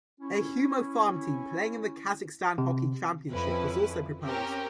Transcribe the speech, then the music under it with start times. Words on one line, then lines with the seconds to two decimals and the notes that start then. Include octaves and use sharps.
A Humo farm team playing in the Kazakhstan Hockey Championship was also proposed.
0.20 C#4 E4
2.58 C3
3.31 F2 F3 C#4 E4 B4
4.23 C4 C#4 G4 A#4